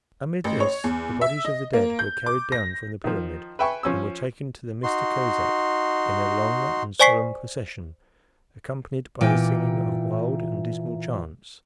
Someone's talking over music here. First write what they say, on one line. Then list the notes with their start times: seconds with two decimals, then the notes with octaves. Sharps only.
Amid this the bodies of the dead were carried down from the pyramid, and were taken to the Mista Kosek in a long and solemn procession, accompanied by the singing of wild and dismal chants.
0.44 A1
0.60 C#5
0.84 E2
1.21 E5
1.45 D#5
1.73 A#3
1.99 G6
2.26 D6
2.52 A#6
3.04 D#3 F3
3.59 B4 E5 G5 G#5 C#6
3.83 F3 C#4 E6
4.83 D#4 F#4 C6
7.00 C5 D5 G#5 C#6 B6 C7
9.21 A#2 E3 G5